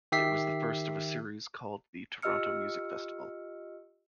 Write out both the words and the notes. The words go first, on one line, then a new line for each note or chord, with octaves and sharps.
It was the first of a series called the Toronto Music Festival.
D#3 G4 E5 B6 C7
F4 G4 D#5 E6 F6 C#7